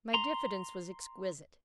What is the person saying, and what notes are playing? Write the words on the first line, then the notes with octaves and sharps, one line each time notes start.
My diffidence was exquisite.
A#5 C6